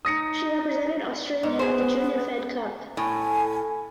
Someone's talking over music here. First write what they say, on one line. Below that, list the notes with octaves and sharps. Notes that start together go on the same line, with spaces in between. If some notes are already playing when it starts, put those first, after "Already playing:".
She represented Australia at the Junior Fed Cup.
D#4 D#6 A#6 C#7
G#2 B3
G#4 C5
A2 G#5